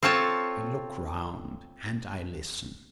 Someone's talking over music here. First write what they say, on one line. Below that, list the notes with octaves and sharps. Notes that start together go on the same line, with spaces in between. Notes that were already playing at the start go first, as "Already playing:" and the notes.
I look round and I listen.
C4 F4 A4 C#5 A5